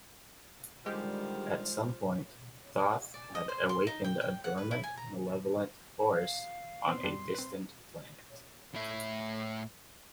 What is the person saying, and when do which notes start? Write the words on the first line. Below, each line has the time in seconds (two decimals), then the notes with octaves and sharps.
At some point, Thoth had awakened a dormant, malevolent force on a distant planet.
0.86 D3 D#3 F3 G3 G#3 G4
3.14 D5
3.35 D#5
3.49 C5
3.69 C6
3.87 D#4
4.04 G5
4.21 G5
4.44 F#5
4.58 B4
4.71 E4
4.84 G#5
4.97 A#5
6.14 F5
6.88 B3 C4 C6
7.03 F#2 G3 D4
7.34 C4 B4
8.74 A2 E5